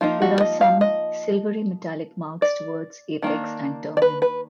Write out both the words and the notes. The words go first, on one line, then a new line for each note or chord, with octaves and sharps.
There are some silvery metallic marks towards apex and termen.
F3 A#3 D#4 F4
F#4
D#5
F5
D#5
D5
D#3 A#3 D4
D5
B4
B4